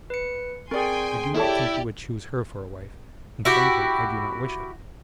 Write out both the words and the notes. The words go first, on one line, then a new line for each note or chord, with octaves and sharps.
I do not think he would choose her for a wife, and frankly I do not wish it.
B4 C#7
C4 G#4 A#4 D5 G5 G#5 C6
E4 G4 A4 C#5 D5 A5
E4 F#4 G4